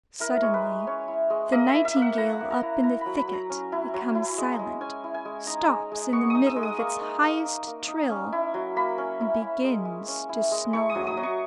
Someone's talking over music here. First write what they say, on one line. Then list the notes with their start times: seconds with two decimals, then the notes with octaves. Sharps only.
Suddenly the nightingale up in the thicket becomes silent, stops in the middle of its highest trill, and begins to snarl.
0.20 E4 A#4
0.42 G#3 C#5
0.54 B4
0.65 G#3
0.87 C#4 C#5
1.08 E4
1.30 G#3
1.52 A#3 D#5
1.69 E4 E5
1.85 E5
1.96 A#3
2.02 F#5
2.18 E4 A#5
2.41 A#3
2.51 A#5
2.63 E4
2.83 E4 A#5
3.01 F#3 B5
3.17 B5
3.28 F#3
3.33 A#5
3.50 C#4
3.72 E4
3.94 F#3
4.15 E4
4.38 G#3
4.59 G#3
4.81 C#4 G#5
5.04 E4
5.14 G#5
5.25 G#3
5.47 D#4 A#5
5.69 G#3
5.92 G#3
6.12 B3 C#6
6.30 D#4 D#6
6.46 E6
6.56 G#3
6.63 D#6
6.78 A#3 C#6
7.01 D#4
7.23 A#3
7.45 D#4
7.67 A#3
7.88 D#4
8.10 C#4
8.32 E4
8.54 F#3
8.76 A#3 B5
8.98 C#4
9.21 E4
9.41 E4
9.64 G#3
9.85 G#3
10.08 C#4
10.29 E4
10.52 G#3
10.73 E4 C#6
10.89 D#6
10.95 F#3
11.07 D#6
11.17 F#3
11.23 C#6